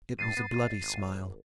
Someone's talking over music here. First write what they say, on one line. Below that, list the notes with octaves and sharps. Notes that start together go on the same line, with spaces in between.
It was a bloody smile.
G2 A6 C7 D#7
B3
F1
G#1